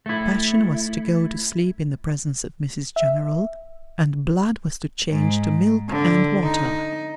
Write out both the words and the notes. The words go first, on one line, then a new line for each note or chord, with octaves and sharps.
Passion was to go to sleep in the presence of Mrs General, and blood was to change to milk and water.
A3 E4
E5
G#2
D3
D#4